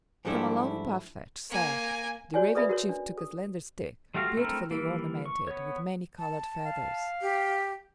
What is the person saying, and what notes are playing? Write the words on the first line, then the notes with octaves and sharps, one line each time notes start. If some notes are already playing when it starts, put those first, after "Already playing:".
From a long parfleche sack the Raven chief took a slender stick, beautifully ornamented with many-colored feathers.
G#2 F3 G3 A3 D4 E4
A#3 G#5
F#4 C#5 D5 G#5
G#4 A4 B4 D5 E5 B5
F#4 A#4 C#5
D4
A4
G3 A3 F4 F#4 F5
A3 C4 D4 E4 A#4
E3 G3 A#3
C#6
B3 C#5
A5
F5
G4